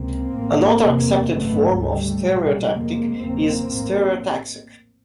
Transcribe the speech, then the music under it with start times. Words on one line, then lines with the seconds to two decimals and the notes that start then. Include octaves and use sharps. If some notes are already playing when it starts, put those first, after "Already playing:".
Another accepted form of "stereotactic" is "stereotaxic".
Already playing: C#2 C3 A#3 C4
0.33 A1 A2
0.82 F1 E2 C3
1.29 G#1 F#2 C#3 A3 B3
1.78 D2 C#3 G3 A3
2.26 B1 A#2
2.74 F1 F2 C#3 G#3 A#3
3.22 F#1 E2 C#3 A#3 C4
3.70 A#1 A2